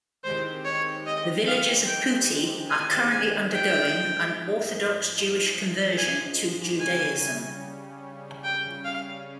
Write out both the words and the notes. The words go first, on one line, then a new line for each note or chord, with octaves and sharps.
The villagers of Putti are currently undergoing an Orthodox Jewish conversion to Judaism.
D#3 G#3 C4 G4 C5
C#5
D#5
F5
G5
G#5
G#5
G#2 F3 G#3 G5
G#5
C#3 G3 C#4 G#5
G5
F5